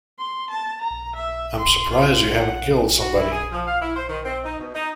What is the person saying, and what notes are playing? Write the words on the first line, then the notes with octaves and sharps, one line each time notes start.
I'm surprised you haven't killed somebody.
C6
A5
A#5
E5
C6
F4
F#5
F#4
E4
G#4
F3
F5
E4
C5
D#3
C4
D#4
B2
D#4